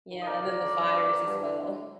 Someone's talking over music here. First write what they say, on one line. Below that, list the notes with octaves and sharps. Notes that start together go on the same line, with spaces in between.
Yeah, and then the fires as well.
D#3
D#5
F2 A#4 D5
F2
D3
F2
G2
D3
G2
D3